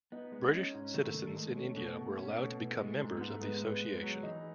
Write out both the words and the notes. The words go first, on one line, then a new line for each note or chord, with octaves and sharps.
British citizens in India were allowed to become members of the association.
B3 D#4
G#3
C#4 D#4
G#2
D#3 A3
D#3
G#3
C#4
B2
B2
C#4
B2
E3
G#3
G#2
G#2 B3
A3
G#3 B3
B3
B3
F#3
E3 D#4